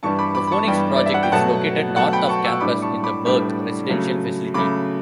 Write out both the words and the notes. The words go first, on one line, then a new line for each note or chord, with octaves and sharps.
The Phoenix Project is located north of campus in The Berk residential facility.
G2 E3 G3 D4 A5 C#6
B5 D6
B5 D6
B5
A5 C#6
G2 E3 G3 D4 G5 B5
D5
E5
F#5
G5
B2 F#3 A3 F#5 A5
B2 F#3 A3 F#5 A5
G5 B5
A5 C#6
C#6 E6
A2 G3 D4 B5 D6
A5 C#6
B5 D6
A2 G3 D4 B5 D6
C#3 F#3 A3
C#3 F#3 A3 B5 D6